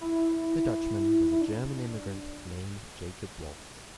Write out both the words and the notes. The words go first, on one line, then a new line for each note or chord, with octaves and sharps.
The Dutchman was a German immigrant named Jacob Waltz.
E4
E4
D4